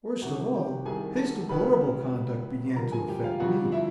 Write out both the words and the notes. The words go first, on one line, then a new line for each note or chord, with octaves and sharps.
Worst of all, his deplorable conduct began to affect me.
C2 C3 D#3 F#4 F#5
G4 G5
C2 C3 D#3 G#4 G#5
A4 A5
C#2 C#3 F#3 B4 B5
C#2 C#3 F#3
F2 D3 G3 A#4 A#5
G#4 G#5
G4 G5
F4 F5
F2 D3 G3 F#4 F#5
E4 E5